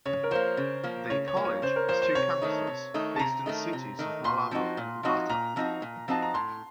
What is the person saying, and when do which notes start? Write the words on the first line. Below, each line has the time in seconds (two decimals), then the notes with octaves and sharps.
The college has two campuses, based in the cities of Malabo and Bata.
0.05 C#3 C#5
0.23 A#4
0.31 F3 A#3 C5
0.57 C#3
0.84 F3 A#3
1.10 C#3 C#5
1.28 C#5
1.37 F3 A#3
1.45 C#5
1.62 C#3 C5
1.76 A#4
1.88 F3 A#3 C5
2.02 C5
2.15 C3 C#5
2.42 D#3 A3 D#4
2.67 C3
2.94 D#3 A3 D#4
3.16 A5
3.19 C3 A#5
3.46 D#3 A3 D#4
3.73 C3
3.99 D#3 A3 D#4
4.24 A#2 C6
4.51 F3 C4 D#4 F#4
4.77 A#2
5.03 F3 C4 D#4 F#4
5.29 A#2 A#5
5.56 F3 C4 D#4 F#4
5.82 A#2
6.08 F3 C4 D#4 F#4 A5
6.22 A#5
6.34 A2 C6